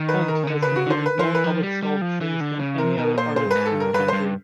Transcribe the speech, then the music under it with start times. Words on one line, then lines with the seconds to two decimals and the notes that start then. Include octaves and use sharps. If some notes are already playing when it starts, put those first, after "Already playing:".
Hunt has completed more public sculptures than any other artist in the country.
Already playing: D#3
0.09 B4
0.28 A#4
0.43 C#3
0.47 D3
0.62 C#3 B4
0.76 F#4
0.87 D3 C5
1.06 B4
1.19 F3 C5
1.25 E3
1.35 B4
1.44 F3
1.62 G3
1.83 G3
2.02 F3
2.21 E3
2.41 D3
2.59 C#3
2.78 C3 A#4
2.97 B2 A#4
3.17 A#2 C5
3.36 A#2 C5
3.46 G2
3.51 G#2 B4
3.65 A4
3.75 G2
3.80 A#4
3.94 G2 B4
4.08 G2 C5